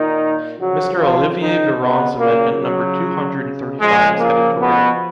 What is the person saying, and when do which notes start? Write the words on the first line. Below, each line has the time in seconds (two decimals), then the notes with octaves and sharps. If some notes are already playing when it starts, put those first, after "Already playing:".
Mr. Olivier Véran’s amendment number two hundred and thirty-five is editorial.
Already playing: A#2 D#3 D#4
0.59 C#3 F3 F#3 F#4
0.99 F3 F4
1.40 D#3 D#4
1.80 B2 B3
2.20 A#2 C#3 F#3 A#3
2.60 F#3
3.80 C#3 F3 G#3
4.19 A#2 A#3
4.60 B2 B3